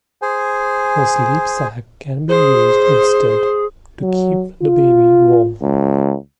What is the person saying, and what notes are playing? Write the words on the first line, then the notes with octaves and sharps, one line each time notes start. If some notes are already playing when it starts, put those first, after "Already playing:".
A sleepsack can be used instead to keep the baby warm.
G#4 C5 G#5
G#4 C5
F#3
F4
C#2